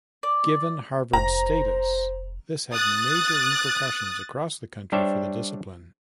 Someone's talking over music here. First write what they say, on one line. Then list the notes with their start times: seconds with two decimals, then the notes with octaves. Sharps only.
Given Harvard's status, this had major repercussions across the country for the discipline.
0.23 D5
1.13 F1 C5 A#5
2.74 D#6 F#6 A6
4.92 G3 D4 G4 C5 C#5 E5